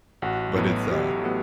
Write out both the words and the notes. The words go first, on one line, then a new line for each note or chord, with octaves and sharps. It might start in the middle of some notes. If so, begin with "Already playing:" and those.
but it's a
A1 F#4
A2 F#3 B3
A1 G4
A2 F#3 B3